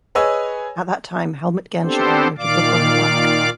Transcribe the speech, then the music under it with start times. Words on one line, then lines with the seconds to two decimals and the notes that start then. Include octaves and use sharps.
At that time Helmut Gernsheim wrote a book on her work.
0.15 G#4 B4 C#5 D#5 G#5 E6
1.83 B3 C4 D4 G4 A4 C5
2.38 A#2 D#3 D5 F5 D6